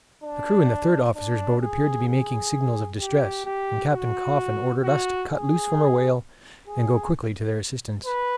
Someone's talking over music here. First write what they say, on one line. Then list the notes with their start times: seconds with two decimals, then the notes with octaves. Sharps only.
The crew in the third officer's boat appeared to be making signals of distress, and Captain Coffin ordered us to cut loose from our whale and go quickly to their assistance.
0.24 D4
1.16 D4
1.62 G#4
2.08 G#4
3.00 G4
3.46 G4
3.92 F#4
4.83 F#4
5.30 G#4
6.68 G#4
8.06 B4